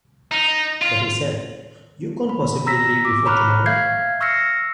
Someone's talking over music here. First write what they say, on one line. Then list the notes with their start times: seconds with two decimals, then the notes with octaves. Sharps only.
But he said: "You can't possibly leave before to-morrow."
0.31 D#4
0.82 F4
2.29 B5
2.66 A#5 E6 A#6 B6
3.05 D6 B6
3.25 C#5 A#5 B5 C#6 F6 F#6
3.66 E5 F5 F6 G6 G#6 C7
4.21 C#6 E6 F6 A#6 C7 C#7